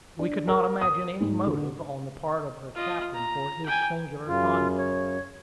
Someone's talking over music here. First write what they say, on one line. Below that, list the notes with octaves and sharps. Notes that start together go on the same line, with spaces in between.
We could not imagine any motive on the part of her captain for his singular conduct.
D4
A#4
D#6
G#2
D3
F4 D#5
A#5
G5 G#5
F#2 C#3 F4
C#5